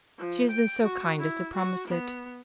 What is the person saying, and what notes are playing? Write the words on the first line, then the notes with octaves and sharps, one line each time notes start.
She has been so kind as to promise it.
F3
G5
F#4
E4
F#4
B3